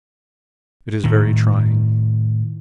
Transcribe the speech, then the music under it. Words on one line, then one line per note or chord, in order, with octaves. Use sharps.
It is very trying.
A2 D#3